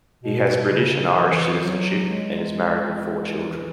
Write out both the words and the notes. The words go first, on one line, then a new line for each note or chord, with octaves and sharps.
He has British and Irish citizenship, and is married with four children.
B2
C#3
E3
E3
F#3
G#3
E3